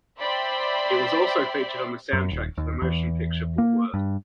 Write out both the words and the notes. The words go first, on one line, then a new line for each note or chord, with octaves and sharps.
It was also featured on the soundtrack for the motion picture "Bulworth".
C5 D5 E5 G5 B5 C6
F#2
D#1
D#2
E2
A#3
G2